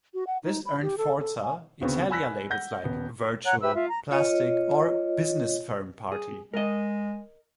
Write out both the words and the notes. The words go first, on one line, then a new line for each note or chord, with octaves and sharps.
This earned Forza Italia labels like "virtual", "plastic" or "business-firm party".
F#4
F#5
D#4
B5
G4
A4
A4
G#5
D2 C#3 B3 C4 F#4 C#6
G#5 B5 E6 F#6 A#6 B6
F#5 G6 A#6
D#1 B3
C#5 F#5 A#5 F#6
G4 B4 E5 E6
F4 E5
A#5
F4 C#5 D#5
G#4
G#3 A#4 D#5